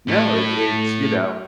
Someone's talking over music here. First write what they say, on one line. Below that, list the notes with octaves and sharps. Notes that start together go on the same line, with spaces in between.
No it it's you know,
A2